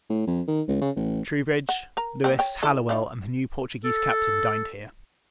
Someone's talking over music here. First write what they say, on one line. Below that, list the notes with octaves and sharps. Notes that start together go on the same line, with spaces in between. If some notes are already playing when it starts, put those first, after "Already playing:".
Troubridge, Louis, Hallowell, and the new Portuguese Captain, dined here.
A2
F2
D#3
C#2
C#3
A1
F#5
A#4 A#5
G3 A#3 C4
C#5 G5
E4 A4 D5
D#4 F4 D5
A4